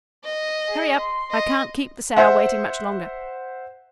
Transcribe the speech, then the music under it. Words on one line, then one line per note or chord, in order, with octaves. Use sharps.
Hurry up, I can't keep the sow waiting much longer.
D#5
G#4
C6
D#5
C5 E5 F#5